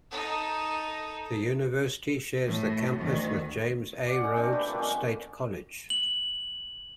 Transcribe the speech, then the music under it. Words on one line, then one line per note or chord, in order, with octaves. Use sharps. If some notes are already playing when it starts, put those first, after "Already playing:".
The University shares the campus with James A. Rhodes State College.
D#4 A4
A2
D2 D#3
D5 F#5 G#5
C#4 D#4
C4 D4 D5
A3 G4 B4 G#5
F3 A#3
G3 G#3 C4 C#4
F#7